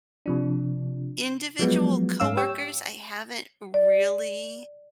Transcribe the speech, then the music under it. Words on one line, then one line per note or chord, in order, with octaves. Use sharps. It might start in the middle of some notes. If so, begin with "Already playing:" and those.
individual coworkers, I haven't really
C3 F3 D4
F3 F#3 G#3 B3
G#2 C#4 F5 E6
G4 C#5 G5 E6
D5